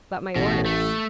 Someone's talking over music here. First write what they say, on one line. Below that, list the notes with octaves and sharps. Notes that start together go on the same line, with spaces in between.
"But my orders."
A1 B2
A3